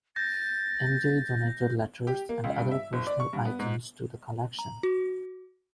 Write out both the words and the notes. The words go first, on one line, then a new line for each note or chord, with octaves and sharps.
Ende donated letters and other personal items to the collection.
G6 A6 A#6
G4
A#3
C#2
G2
E5
F#1
D5
C#6
G2
B3
G#2
A#5
F#4